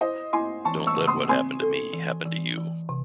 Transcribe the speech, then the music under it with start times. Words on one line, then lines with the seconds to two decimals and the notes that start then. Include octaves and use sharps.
Don't let what happened to me happen to you.
0.01 E4 C5 D#5
0.33 E4 G#5 C6
0.65 E3 A5 C#6
0.87 C#6 E6
0.98 C#3
1.07 C6 D#6
1.29 C4 G#5 C6
1.62 A4
1.93 E3
2.26 E3
2.58 E3
2.89 C3